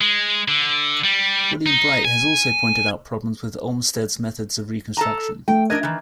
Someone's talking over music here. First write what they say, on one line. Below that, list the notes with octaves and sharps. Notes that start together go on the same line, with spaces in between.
William Bright has also pointed out problems with Olmsted's methods of reconstruction.
G#3
D3
G3
D#4
G#5
A4 A5 A#5
A3 G5
D4 A#4 D#5 G#6
D#3 E3